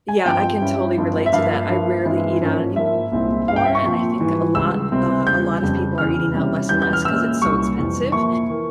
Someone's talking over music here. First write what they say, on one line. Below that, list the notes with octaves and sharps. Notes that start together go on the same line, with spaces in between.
Yeah, I can totally relate to that. I rarely eat out anymore, and I think a lot uh, a lot of people are eating out less and less 'cause it's so expensive,
G#5
G2 F3 C4 G5
G2 G3 C#4 E4
G2 F3 G#3 C4
E5
G2 F3 A#3 F5
G2 F3 A#3 E4
G2 E3 G#3 C4 E4
G#2 F3 A#3 C#4
G#2 F3 A#3 E4 E5
C2 A#2 G#3 C4 E4
G2 G3 C#4 E4 F5
G5
E5
C#6
A#2 F3 C4
G#2 E3 G3
C#2 C#3 G3 E6
C3 G3 C4 E4
E2 C#3 G3 G6
F2 C#3 G3
E2 C#3 E3 F6
C3 G3 C#4 E4
E2 E3 G3 C#4 G6
G6
F6
A#2 G#3 C#4 E4 E6
C2 A#2 G3 C#4 C#6
F2 C3 E3 G3
A#2 F3 A#3 E4 C#6
E3 A#3